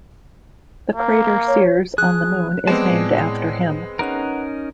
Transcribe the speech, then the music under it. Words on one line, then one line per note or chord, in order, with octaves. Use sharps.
The crater Seares on the Moon is named after him.
A#3
C#5
F3 G#4 F#6
G#3 B3 C4 G4 G#4 A#4 D5 A5
A2
C#4 D#4 A#4 B4 F#5